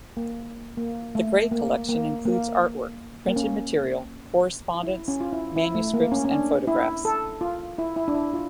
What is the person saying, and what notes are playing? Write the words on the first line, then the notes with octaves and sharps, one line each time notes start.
The Gray collection includes artwork, printed material, correspondence, manuscripts and photographs.
A#3
A#3
A3
A#3
A#3
A#3
A#3
C#4
E4
C#4
F4
E4
E4
A3
A#3
C#4
C#4
D4
E4
A4
F4
E4
E4
D4
E4
F4